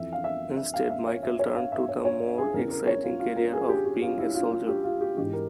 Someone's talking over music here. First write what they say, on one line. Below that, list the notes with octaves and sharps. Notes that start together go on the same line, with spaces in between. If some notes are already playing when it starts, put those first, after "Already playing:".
Instead, Michel turned to the more exciting career of being a soldier.
Already playing: F2 E3 E5
F5
E5
E5
F5
E5
C#5
E5
C#5
F5
E5
C#5
C#5
G#4
E2 C#3 E3 A#4
A#4
C#5
F4
F4
A#4
G#4
G4
G4
F4
E4
F4
F4
G4
F4
G4
G#2 E3 G4
A#4